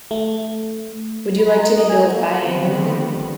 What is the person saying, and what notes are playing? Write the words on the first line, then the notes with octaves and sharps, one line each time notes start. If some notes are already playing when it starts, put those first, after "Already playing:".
Would you like to be billed bi-annually?
A3
B5
A#5
D#5
G#5
C5
A#3
D3 D#3 F3 G3 B3 C4